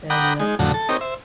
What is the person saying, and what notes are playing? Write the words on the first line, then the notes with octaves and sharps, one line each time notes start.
Bell et.
F#5 G5 A#5 B5 D6 D#6
G#3 D#4
F2 A2 D3 F#3
A4
C4 D#4 G4 A#4 C#5 D#5
C5 E5